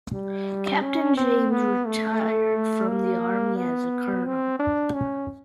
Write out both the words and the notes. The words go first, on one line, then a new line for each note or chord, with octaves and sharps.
Captain James retired from the army as a colonel.
G3
C#4
C4
B3
A3
A#3
B3
C4
D4
C#4